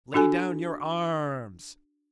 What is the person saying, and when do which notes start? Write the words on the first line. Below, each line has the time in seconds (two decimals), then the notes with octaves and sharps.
"Lay down your arms!"
0.14 D4 F#4 A4 G#5